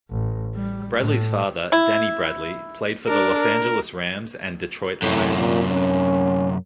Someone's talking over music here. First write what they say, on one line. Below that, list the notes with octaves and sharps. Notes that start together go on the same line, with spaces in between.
Bradley's father, Danny Bradley, played for the Los Angeles Rams and Detroit Lions.
A1
G3
A2
E4
D4 A#4
A#4
F#2 A2 C3
A#2
C#4